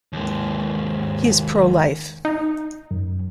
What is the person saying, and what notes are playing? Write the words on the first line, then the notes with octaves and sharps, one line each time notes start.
He is pro-life.
D#2 G#3
D#4
F#2